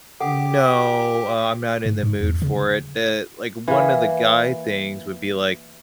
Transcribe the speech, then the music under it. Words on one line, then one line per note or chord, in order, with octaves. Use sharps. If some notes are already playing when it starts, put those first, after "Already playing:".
"No, uh, I'm not in the mood for it." Eh, like, one of the guy things would be like
G4 A4 F#5 D6
G#2
G#2
E2
C#3
E3 A#3